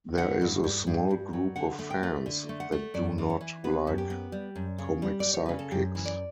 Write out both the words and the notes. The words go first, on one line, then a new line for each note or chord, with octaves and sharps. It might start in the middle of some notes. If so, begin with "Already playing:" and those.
There is a small group of fans that do not like comic sidekicks.
D3 F#5
G2
G2
G2
G2
F#3
D3 F#5
A3
G5
A3
D3
A3
F#5
A3
F#2 D5
E3
C#5
E3
B3 B4
F#2
G4
B3
G3
F#2
C#3
G3
D5
G3
C#5
C#3 B4
A4
F#2 G4
E3
D5